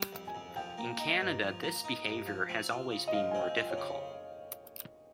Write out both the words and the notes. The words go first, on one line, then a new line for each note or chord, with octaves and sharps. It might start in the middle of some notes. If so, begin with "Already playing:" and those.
In Canada, this behaviour has always been more difficult.
Already playing: G3
F2
G#5
F2
F3 G5
A#3
D#4
G2
F3
A#3
D#4
G2
F3
C4
F4
C#3
D#5
F3 F5
C4 G#5
G5
F4
C#5
C#3